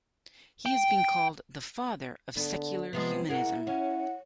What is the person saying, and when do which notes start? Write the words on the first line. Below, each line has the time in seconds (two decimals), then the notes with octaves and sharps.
He has been called "the father of secular humanism".
0.66 G5
2.37 D3 B3
2.93 C3 F3 G#3 B3
3.29 E4 G#4 A#4 F#5
3.67 C#4 F#5